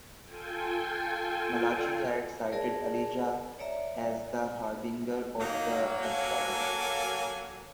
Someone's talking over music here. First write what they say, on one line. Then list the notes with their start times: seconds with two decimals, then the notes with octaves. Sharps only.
Malachi had cited Elijah as the harbinger of the eschaton.
0.24 F4 A4 G5 G#5
2.52 G#4 A#4 D5 A5
3.59 C#5 D5 E5 A#5
5.40 F#3 A#3 D#4
6.02 A4 G#5